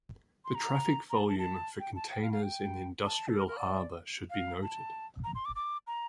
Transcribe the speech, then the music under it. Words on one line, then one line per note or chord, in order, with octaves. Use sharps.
The traffic volume for containers in the industrial harbour should be noted.
C6
A#5
A#5
A5
A5
A5
G5
A5
G5
F5
F5
G5
A5
A4
A#4
A#4
D5
F5
A5
A#5
C6
D6
D6
A#5